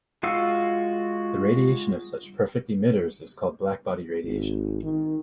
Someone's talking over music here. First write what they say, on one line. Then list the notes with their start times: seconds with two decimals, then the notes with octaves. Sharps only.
The radiation of such perfect emitters is called black-body radiation.
0.23 G#3 F4 F#4 F5 E6
4.24 G#1
4.83 D#3